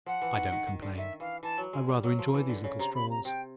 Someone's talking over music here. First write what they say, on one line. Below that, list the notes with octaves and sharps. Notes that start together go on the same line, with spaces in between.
I don't complain; I rather enjoy these little strolls.
F3 F#5
E3
D#3
D#3
D#3
D3
D#3 E5
E3 F5
E3 A5
F#3
G#3
G3
F#3
F3
E3
D3
C#3
C3 A#5
B5
A#5
C3 G5